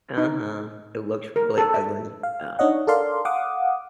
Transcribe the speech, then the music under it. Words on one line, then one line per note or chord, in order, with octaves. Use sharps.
Uh-huh, it looks really ugly, yeah,
D#4
A#4
A4
E5
F5
D4 D#4 C#5 D#5 F#5
A4 A#4 D5 F5 C6
F5 F#5 D6 D#6